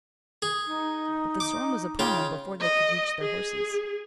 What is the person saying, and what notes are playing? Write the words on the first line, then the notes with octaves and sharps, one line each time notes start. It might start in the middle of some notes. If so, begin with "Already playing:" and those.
But the storm was upon them before they could reach their horses.
G#4
D#4
D6
C#3 F4 G5
D#5
G#4